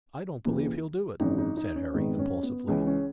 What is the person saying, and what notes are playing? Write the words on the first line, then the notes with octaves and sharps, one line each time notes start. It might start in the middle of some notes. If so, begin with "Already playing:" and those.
"I don't believe he'll do it," said Harry impulsively.
D#2 C#3 E3
G#1 F#2 C#3 E3 D#4
D#4
D#4
C#4
G#1 G#2 D#3 B3
C#4
B3
C#2 C#3 E3 C#4
C#4